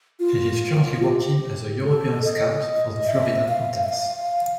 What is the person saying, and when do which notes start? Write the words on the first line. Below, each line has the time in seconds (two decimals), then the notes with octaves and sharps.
He is currently working as a European scout for the Florida Panthers.
0.20 F4
1.03 G4
1.84 A4
2.25 D#5
3.07 E5
3.48 F5
3.83 E5
3.89 F5